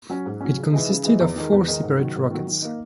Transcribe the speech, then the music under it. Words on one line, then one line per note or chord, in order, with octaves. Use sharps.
It consisted of four separate rockets.
F#3 C#4
G#2
F#3 C#4
C#3
E3 G#3 D#4
C#3
E3 G#3 D#4
E2
D#3 G#3 D#4 A#4
E2
D#3 G#3 D#4 A#4
G#2
D#3 F#3
G#2
D#3 F#3
D#3
A#3 D#4